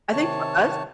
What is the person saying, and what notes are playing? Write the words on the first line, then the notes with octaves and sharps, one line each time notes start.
I think for us
C3 D#3 C#5 A5